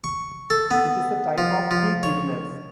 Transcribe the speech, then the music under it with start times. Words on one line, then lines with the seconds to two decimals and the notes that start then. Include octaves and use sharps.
It is a type of heat illness.
0.04 C#6
0.50 A4
0.71 B3
1.38 F3
1.71 F3
2.03 C#5